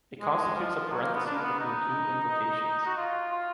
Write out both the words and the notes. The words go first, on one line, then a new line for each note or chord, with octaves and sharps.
It constitutes a parenthesis between two invocations.
G#3
F3
F#3
A#3
B3
D4
A#3
B3
D#4
F#4
F4
F4